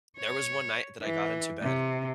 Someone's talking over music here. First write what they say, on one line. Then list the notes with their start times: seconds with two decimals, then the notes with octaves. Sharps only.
There was one night that I got into bed,
0.18 C#5
1.02 E3
1.62 C3